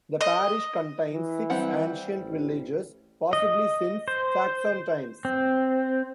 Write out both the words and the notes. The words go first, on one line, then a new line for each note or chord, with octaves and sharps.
The parish contains six ancient villages, possibly since Saxon times.
D#5
E3
G3 C4 F#5
A1
D#5
C5
C4